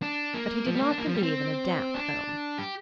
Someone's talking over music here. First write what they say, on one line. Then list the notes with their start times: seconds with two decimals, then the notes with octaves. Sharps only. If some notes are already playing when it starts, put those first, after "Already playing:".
But he did not believe in a damp home.
0.02 D4
0.34 A#3
0.66 F3
0.75 G3
0.82 A#3
0.90 D4
0.98 A#3
1.07 F3
1.14 G3
1.23 C4
1.94 D4
2.58 G4